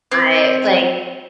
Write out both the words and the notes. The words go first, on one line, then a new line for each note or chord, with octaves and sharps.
I, like
C4